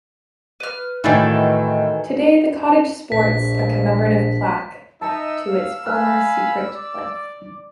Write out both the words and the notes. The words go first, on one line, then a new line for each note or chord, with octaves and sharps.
Today the cottage sports a commemorative plaque to its former secret life.
B4 F6
A2 D#3 E3 F#4 A4 D5
A#1 A#2 B6
D#4 D#5 E5 A5 E6 C#7
F5
F5 G#5 B5 F6 F#6
D5